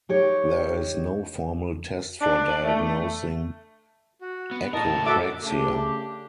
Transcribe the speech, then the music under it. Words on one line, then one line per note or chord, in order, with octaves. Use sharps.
There is no formal test for diagnosing echopraxia.
D#4 G4 C#5
D4
A3
F#4
B3
A2 E4 A#4 D#5 A5
F#4 A4 E5 D6
C#3 A3 D4 G4